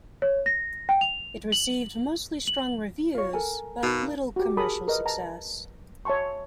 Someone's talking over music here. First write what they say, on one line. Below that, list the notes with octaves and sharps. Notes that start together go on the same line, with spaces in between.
It received mostly strong reviews but little commercial success.
C#5
A#6
G5
F7
F#7
F#7
F4 C#5
A4 A#4 G#5
B2 D#4 A#4 F5
F#4 G4
G#4 A#4 A5 B5 D#6
A#4 B4 D#5
A5 A#5
C#5 E5 A5 C6 C#6